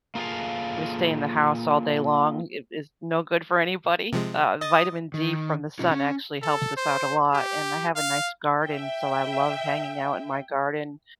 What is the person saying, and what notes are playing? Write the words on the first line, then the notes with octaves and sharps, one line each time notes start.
we stay in the house all day long. It is no good for anybody. Uh, vitamin D from the sun actually helps us out a lot, and I have a nice garden, so I love hanging out in my garden.
A#3 F4 G#4 A4 F5
C3 F3 G#3
D#5 D#6 A6
D#3
B2 C#4 D#4 F4
C#4
A4
C5
G4
F5
E5 G5